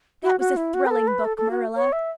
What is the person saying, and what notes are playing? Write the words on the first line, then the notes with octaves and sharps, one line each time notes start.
That was a thrilling book, Marilla.
F#4
F#4
E4
F#4
B4
A4
B4
A4
A4
F#4
C#5
E5